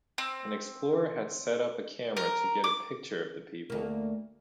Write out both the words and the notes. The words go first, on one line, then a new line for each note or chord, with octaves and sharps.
An explorer had set up a camera to get a picture of the people.
C4
A#4
D6
D2 A#3